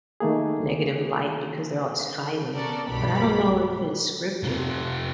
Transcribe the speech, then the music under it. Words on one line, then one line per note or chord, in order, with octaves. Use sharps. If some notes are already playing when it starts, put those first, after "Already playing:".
negative light because they're always fighting, but I don't know if it's scripted.
D#3 A3 A#3 G#4
B3 C#4 A4 A#4 D5
B1 G2 B2 G4 B5 B6
F2 C3